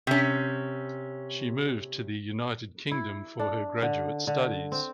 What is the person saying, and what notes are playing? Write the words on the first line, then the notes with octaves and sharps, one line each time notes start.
She moved to the United Kingdom for her graduate studies.
C3 C#4
E4
D4
D3
D3
C4